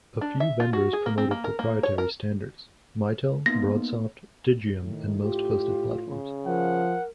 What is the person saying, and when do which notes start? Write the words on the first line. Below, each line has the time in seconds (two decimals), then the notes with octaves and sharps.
A few vendors promoted proprietary standards: Mitel, Broadsoft, Digium and most hosted platforms.
0.21 D4
0.40 E5
0.60 F4
0.73 F#4
0.93 G#4
1.06 A#3
1.18 C4
1.31 A#3
1.44 A#4
1.59 A#3
1.83 C#5
1.98 A#4
3.46 A#3 B3 D#4 A#6
4.83 A2 D#3
5.22 F4 G4
6.08 C#3
6.46 F3 A#4 F#5